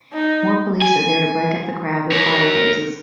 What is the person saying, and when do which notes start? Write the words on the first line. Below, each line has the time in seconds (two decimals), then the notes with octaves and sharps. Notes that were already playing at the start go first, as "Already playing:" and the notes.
More police are there to break up the crowd with fire hoses.
0.14 D#4
0.82 G#5
2.12 A#4 C#5